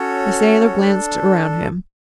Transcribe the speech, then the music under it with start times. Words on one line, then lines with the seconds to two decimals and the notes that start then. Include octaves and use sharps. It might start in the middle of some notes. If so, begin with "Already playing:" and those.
The sailor glanced around him.
Already playing: C#4 F#4 A4 C#5
0.79 D4 A4